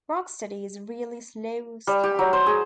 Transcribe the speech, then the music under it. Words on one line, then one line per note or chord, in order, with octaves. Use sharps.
Rocksteady is really slow ska.
G3
G4
F#3
C5
G#4